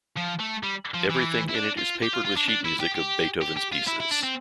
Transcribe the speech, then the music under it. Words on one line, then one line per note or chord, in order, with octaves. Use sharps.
Everything in it is papered with sheet music of Beethoven's pieces.
F3
A3
G3
F3
E3
E4
D4
F4
G4
F4
F4
D4
D4
E4
G4
G4
G4
G4
F4
E4
E4
D4
C4